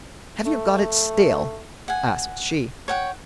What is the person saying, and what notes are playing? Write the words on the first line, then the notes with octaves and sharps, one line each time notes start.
'Have you got it still?' asked she.
A3
F#5 G#5
C#5 F#5 G5